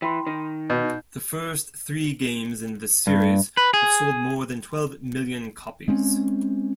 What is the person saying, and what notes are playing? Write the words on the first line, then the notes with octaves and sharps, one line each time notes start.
The first three games in the series have sold more than twelve million copies.
E3 G5 B5 C6
D#3
B2 D#4 G6
G2
B4
G#4
G#3 C4 C#4